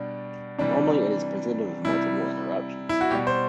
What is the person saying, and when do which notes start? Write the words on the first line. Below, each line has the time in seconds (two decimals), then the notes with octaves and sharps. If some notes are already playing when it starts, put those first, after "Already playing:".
Normally it is presented with multiple interruptions.
Already playing: B2 G3 D4
0.59 C3 E3 G3 D4
1.85 C3 G3 E4
2.89 E4
3.01 F#4
3.10 B2 G3 G4
3.27 C5